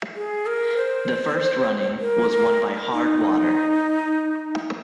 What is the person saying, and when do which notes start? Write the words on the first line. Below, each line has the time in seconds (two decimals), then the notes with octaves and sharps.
The first running was won by Hard Water.
0.16 G#4
0.46 A#4
0.77 C5
2.00 A#4
2.31 A#4
2.93 D#4